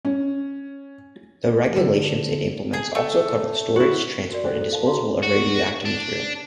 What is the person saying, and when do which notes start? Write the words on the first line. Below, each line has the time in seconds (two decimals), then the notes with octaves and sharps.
The regulations it implements also cover the storage, transport and disposal of radioactive materials.
0.05 C#4
1.76 G#2 D3 D#3 F#3
2.73 G#4
2.95 A3
3.76 E4 F#4
4.31 F#4 A#4 D5
4.44 A4 C5 F#5 G5
4.58 E4 A4
4.70 A4 F5 A5
4.86 F#4 F5 A#5
5.23 F#4
5.85 D4